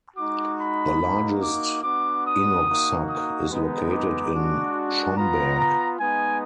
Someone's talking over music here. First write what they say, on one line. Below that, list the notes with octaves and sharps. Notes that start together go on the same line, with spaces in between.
The largest inuksuk is located in Schomberg.
G#3 D#4 F#4 D6
B5
A#3 D#4 F#4
D6
B3 D4 F#4 D6
D#6
A#3 D#4 F#4
D#6
G#3 B3 D#4
D6
G#3 D4 F#4
B3 F4 A#5
G#3 B3 D#4 G#5